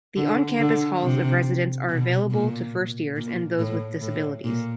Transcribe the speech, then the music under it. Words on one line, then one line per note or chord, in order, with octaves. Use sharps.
The on-campus halls of residence are available to first years and those with disabilities.
D3
D3
C3
B2
A#2
A#2
A2
A2
A#2